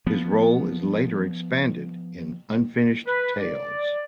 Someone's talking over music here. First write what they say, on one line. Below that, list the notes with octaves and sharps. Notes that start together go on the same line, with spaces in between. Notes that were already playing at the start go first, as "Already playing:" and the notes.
His role is later expanded in "Unfinished Tales".
F3 B3
B4
D5